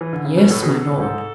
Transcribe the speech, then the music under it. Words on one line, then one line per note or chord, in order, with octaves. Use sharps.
"Yes, my Lord!"
E3
D3
C#3
B2
A2 A4
B2 G#4
A4
A2
G#2 A4